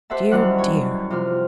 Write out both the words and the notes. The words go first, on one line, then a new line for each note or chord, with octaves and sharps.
Dear! dear!
G4 C5 E5 F#5 A5
F#2 D#3 E3 G3 F#5 F#6
C#5
C3 F3 F6